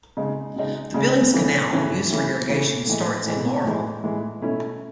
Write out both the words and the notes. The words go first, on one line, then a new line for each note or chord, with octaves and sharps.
The Billings Canal, used for irrigation, starts in Laurel.
C#3 G#3 D#4
C#3 G#3 D#4
C#3 G#3 D#4
C#3 E3 A3 C#4
C#3 E3 A3 C#4
C#3 E3 A3 C#4
C#3 E3 A3 C#4
A2 E3 G#3
A2 E3 G#3
A2 E3 G#3
A2 E3 G#3
B2 A3 C#4 E4